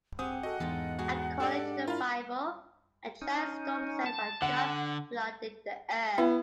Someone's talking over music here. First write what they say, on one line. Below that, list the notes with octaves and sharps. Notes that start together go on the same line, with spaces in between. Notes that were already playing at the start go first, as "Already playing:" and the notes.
According to the Bible, a giant storm sent by God flooded the Earth.
C4 G4 G#4 F#5 D#6
F#4 A4 D#5
E2 G#2 F4 A4
G#3 D#4 F#4 G#4
D4 G4 A4 D5
E4 F4 A#4 F5 B5
C#4 D#4
A5
D3 F#5
B3 E4